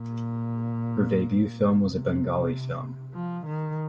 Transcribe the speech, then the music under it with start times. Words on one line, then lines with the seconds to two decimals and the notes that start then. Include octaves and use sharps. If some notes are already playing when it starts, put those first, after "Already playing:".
Her debut film was a Bengali film.
Already playing: A#2
1.83 C3
3.14 F3
3.46 D#3